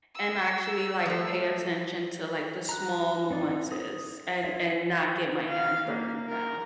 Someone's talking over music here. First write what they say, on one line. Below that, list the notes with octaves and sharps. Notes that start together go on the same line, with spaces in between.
and actually, like, pay attention to like the small nuances and and not get my hand burned now.
E6
F3 A3
A#5 F#6
C4 D#4 D5
D#6
F4 C#5 E5 F5
F5
A#3
A#4